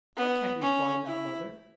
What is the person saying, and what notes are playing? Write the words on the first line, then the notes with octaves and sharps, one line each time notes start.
"Why can't you fly now, mother?"
B3
C#4
E4